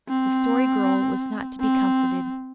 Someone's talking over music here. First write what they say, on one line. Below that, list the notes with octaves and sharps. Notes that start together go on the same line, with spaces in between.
The Story Girl was not to be comforted.
C4
C4